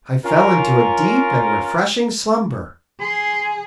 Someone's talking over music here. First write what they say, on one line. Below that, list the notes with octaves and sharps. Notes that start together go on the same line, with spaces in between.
I fell into a deep and refreshing slumber.
C#4 F4 A#4
G#4 C6